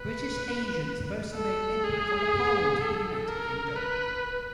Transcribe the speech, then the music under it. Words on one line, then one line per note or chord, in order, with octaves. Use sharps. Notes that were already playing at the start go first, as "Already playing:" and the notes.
British Asians have also made an impact on the parliament of the United Kingdom.
Already playing: B4
A4
G#4
A4
A#4
B4